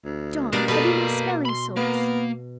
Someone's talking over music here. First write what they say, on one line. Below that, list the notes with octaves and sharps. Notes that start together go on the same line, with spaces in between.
John, have you my smelling salts?
D2
B2 G3 A#3 D4 A#5
B2 A4 B4 D5
B5 C6
A#3 B3